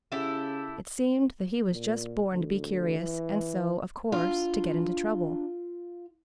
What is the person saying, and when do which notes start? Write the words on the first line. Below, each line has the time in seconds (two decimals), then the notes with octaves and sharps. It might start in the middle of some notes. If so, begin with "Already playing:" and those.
It seemed that he was just born to be curious and so, of course, to get into trouble.
0.12 C#3 E4 G4 A4
1.72 A#2
2.32 D2
2.99 E3
4.12 D4 F4